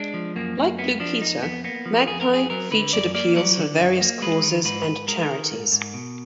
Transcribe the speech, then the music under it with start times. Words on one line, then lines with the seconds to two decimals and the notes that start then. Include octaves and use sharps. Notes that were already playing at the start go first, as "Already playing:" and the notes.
Like "Blue Peter", "Magpie" featured appeals for various causes and charities.
Already playing: G#3 D4
0.14 F3
0.36 F#2 A#3
0.57 F#2
0.78 A#3 B3
1.00 F3 D4
1.21 F2 D#4
1.43 F2 B3
1.64 A#3 B3
1.86 F3
2.07 F2 G#4
2.21 A#4
2.29 F2 G#4
2.50 F#3 A#4
2.71 D3 B4
2.93 F#2 D5
3.14 A#3 D5
3.36 F#3 D5
3.58 D3
3.79 F#2
4.01 A#3
4.22 G#3 B4
4.43 D#3
4.65 G#2 B4
4.86 G#2
5.08 G#3 A#4
5.29 D#3
5.51 G#2
5.72 G#2
5.94 B2